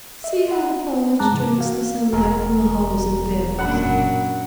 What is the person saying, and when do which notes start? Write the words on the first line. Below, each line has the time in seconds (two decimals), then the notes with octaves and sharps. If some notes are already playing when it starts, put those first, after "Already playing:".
"See how the foliage drinks the sunlight from the hollows and dells."
0.24 D#5 E5
0.51 F#5
1.19 F#2 G#3 A5 A#5 D6 F#6
1.31 G#2 C3 E3
1.58 F#4 F5
2.13 E1 A#4
3.59 F#2 A#2 D4 F#5 B5